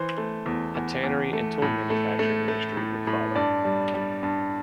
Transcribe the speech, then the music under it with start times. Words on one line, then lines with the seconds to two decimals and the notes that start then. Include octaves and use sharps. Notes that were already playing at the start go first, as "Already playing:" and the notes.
A tannery and tool manufacturing industry would follow.
Already playing: E3 C5
0.18 A3
0.46 E2
0.75 E2
1.04 E2
1.33 A3
1.62 A2
1.90 A3
2.19 A3
2.48 A3
2.77 A2
3.07 A2
3.35 G2 D5
3.64 G3
3.94 G3
4.23 G2